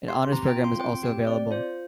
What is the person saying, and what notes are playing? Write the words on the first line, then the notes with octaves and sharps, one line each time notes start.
An Honors Program is also available.
G4 C6
C4 A#5
G5
F4
C6
C4 G5
G4 G5
C4 D5
F4 C5